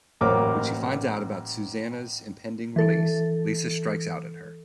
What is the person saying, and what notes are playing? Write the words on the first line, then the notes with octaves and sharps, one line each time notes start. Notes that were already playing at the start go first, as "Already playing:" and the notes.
When she finds out about Susanna's impending release, Lisa strikes out at her.
A1 F#3 A#3 C5 D6
E3 A4